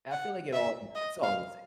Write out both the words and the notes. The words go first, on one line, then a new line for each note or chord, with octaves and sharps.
I feel like it all it's all the same,
F#5
E5
D#5
F5